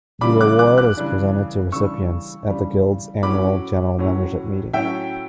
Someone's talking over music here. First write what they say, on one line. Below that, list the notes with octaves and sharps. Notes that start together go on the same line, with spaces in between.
The award is presented to recipients at the Guild's annual general membership meeting.
C#3 E3 G3 D4 B5 D6
D6 F#6
D6 F#6
D6 F#6
C#3 E3 G3 D4
C#3 E3 G3 D4 C#6 E6
C#3 E3 G3 D4
A2 F#3 C#4 B5 D6
A2 F#3 C#4
A2 F#3 C#4 E5 G5